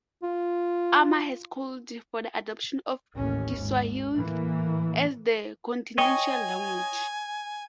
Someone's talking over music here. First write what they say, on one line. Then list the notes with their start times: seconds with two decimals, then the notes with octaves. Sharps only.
Armah has called for the adoption of Kiswahili as the continental language.
0.23 F4
3.15 A1 D#2 C#4
3.54 G#1
4.12 A2 E3 A#3
5.98 C#5 D#5 G5 G#5 C#6